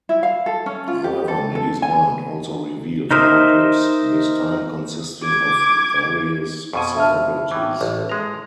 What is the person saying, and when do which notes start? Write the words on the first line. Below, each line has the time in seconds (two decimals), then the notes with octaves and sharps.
However, Maggie's mind also reveals more clips, this time consisting of various celebrities.
0.09 E4
0.23 F5
0.46 A4
0.66 C#4
0.88 F4
1.04 G4
1.28 A4
1.55 A4
1.82 G#5
3.11 D#4 A#4 C5 D#5 E5
5.24 D6 G#6
6.73 F2 B2 G#5
6.96 E5 A5 F6
7.51 A2 E3
7.81 A1
8.09 G#3 A#5